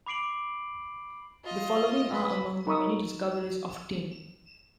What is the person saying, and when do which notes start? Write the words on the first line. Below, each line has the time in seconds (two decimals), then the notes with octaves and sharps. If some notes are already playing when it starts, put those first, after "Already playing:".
The Following are among the many discoveries of Timm.
0.06 B5 D6 C7 D7 F#7
1.44 F4 D#5
2.13 B4
2.67 D#4 A#4 B5 C#6 D#6 E6